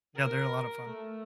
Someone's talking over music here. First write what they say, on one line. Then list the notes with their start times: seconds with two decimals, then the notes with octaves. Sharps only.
Yeah, they're a lot of fun.
0.16 A#4
0.84 A3